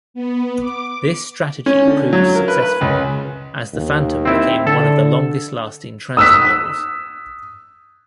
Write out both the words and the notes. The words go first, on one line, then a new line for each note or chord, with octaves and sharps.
This strategy proved successful, as the Phantom became one of the longest-lasting transit models.
B3
D6
C#4
D3
F#3
A#4
B4
B4
C#2
D#2
C4 E4
D3 A4
D#6 E6 F#6 B6